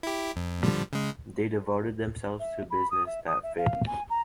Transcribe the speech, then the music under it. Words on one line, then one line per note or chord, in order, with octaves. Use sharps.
They devoted themselves to business that failed.
E4 G4
F2
D3 F3 G3
C#3 G#3
E5
B5
D#6
E5
D#6
E5
F5
G#5
A#5